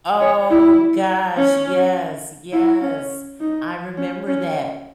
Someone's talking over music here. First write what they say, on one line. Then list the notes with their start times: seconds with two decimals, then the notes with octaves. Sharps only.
Oh gosh! Yes! Yes! I remember that.
0.21 C#5
0.50 E4
1.37 C#4
2.53 E4
2.81 C#4
3.40 D#4
3.97 C#4
4.27 C#4